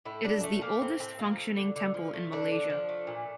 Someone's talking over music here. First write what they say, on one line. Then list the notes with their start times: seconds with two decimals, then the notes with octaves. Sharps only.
It is the oldest functioning temple in Malaysia.
0.05 A2 E4
0.25 A2 D4
0.43 F3 A3
0.62 A3 A#3
0.81 A2 C4
0.99 A2 C4
1.19 F3 A#3
1.37 A3
1.56 D3
1.76 D3
1.94 F3
2.14 A3
2.32 D3 D4
2.51 D3
2.70 F3
2.89 A3
3.07 A#2